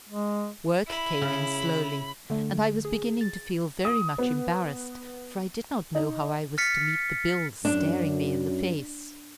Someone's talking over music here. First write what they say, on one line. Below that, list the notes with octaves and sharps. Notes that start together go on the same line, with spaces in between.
Work came in slowly, and I was beginning to feel very much embarrassed, for I did not know how I was to meet the bills staring me in the face.
G#3
E4 B5
C#3
D3 A3
G#4
A6
D#6
B3
D#4
F6 A6 B6 C#7
F#2 D4